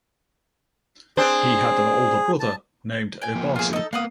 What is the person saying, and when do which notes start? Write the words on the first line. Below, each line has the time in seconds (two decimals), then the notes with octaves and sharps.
He had an older brother named Obasi.
1.17 C4 D4 G#4 C5
2.40 A5
3.22 G5 G#5
3.35 F3 A#3 B3
3.56 F4 G#4
3.73 D#4 A4
3.93 A#3 B3 F5 F#5 D#6